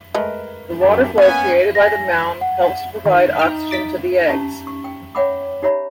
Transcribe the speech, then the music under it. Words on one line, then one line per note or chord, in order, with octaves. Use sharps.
The water flow created by the mound helps to provide oxygen to the eggs.
G#3 A3 A#4 B4
F#2 G4 A5
A#3 B3 C#4 G#5
G#5 A#6
F#5
D#3
D#4 G5 F6
D6 A6 B6
C#4 D#4 G4 A5 A#5
C#6
G5
C#5 E5 F#5 G5 B5 D6
D#4 G4 C#5 E5 A#5 B5